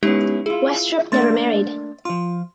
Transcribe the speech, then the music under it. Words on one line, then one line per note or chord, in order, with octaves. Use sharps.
Westropp never married.
G#3 B3 C#4 D#4 E4 G4
E4 F4 G#4
A3 A#3 D4 C6 A6
F3 F4 C6